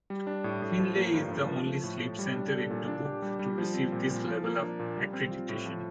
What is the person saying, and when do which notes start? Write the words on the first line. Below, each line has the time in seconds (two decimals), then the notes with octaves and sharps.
Finley is the only sleep center in Dubuque to receive this level of accreditation.
0.10 G3
0.27 D4
0.44 A2
0.62 A2
0.80 F3
0.96 A#3
1.13 G2
1.31 G2
1.48 F3
1.66 A3
1.83 A2
2.01 A2
2.19 G3
2.36 D4
2.52 A4
2.71 A#2
2.88 D4
3.05 G4
3.22 G3
3.39 G3
3.58 F3
3.74 C4
3.92 A#2
4.10 A#2
4.27 F3
4.44 A#3
4.61 D4
4.80 A#2
4.97 G3
5.13 C4
5.31 F4
5.49 A2
5.65 F3